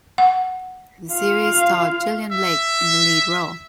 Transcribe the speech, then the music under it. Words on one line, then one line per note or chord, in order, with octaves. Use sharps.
The series starred Gillian Blake in the lead role.
F#5
F4 F5
E5